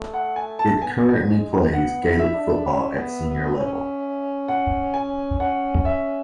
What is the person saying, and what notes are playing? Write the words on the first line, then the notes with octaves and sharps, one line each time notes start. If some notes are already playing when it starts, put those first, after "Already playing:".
It currently plays Gaelic football at Senior level.
Already playing: A3
F#5
G#5
A5
B3 G#5
G#3
B3 F#5
E4
E5
D4
C#4
B3
B3
C#4
F#5
G#5
C#4 F#5
E5